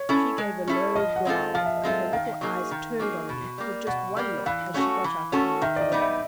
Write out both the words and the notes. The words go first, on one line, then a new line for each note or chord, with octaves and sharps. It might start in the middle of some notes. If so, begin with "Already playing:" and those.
She gave a low growl, and her little eyes turned on me for just one look as she got up and walked away.
Already playing: C#5
C#4 E4 A4
G#3
C#4 E4 A4
F3 D#5
F#5
G#3 C4 F4 A4
F3 F5
E5
D#5
G#3 C4 F4 A4 E5
D#3 F5
F#3 A#3 D#4 G#4
D#3
F#3 A#3 D#4 G#4
B2
G3 A#3
B2 F#5
G3 A#3
E3 F5
A3 C#4 F#4 A4
E3
A3 C#4 F#4 A4
D#3 E5
D5
D#5
G3 B3 D#4
E5